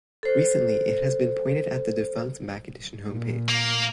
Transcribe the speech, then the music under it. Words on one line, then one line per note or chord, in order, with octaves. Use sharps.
Recently, it has been pointed at the defunct MacEdition homepage.
A4 C5
A#2
A#3